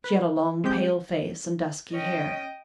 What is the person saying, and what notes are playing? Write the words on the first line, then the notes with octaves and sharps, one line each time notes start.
She had a long, pale face and dusky hair.
B4
G#3 C4 G4 G6
C#4 D#5 G5